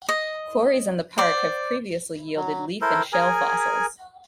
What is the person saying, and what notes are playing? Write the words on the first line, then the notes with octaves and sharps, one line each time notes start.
Quarries in the park have previously yielded leaf and shell fossils.
D#5
C5 D5
F#3
E4 A4 A#4 C5
G#4 A#4 G#5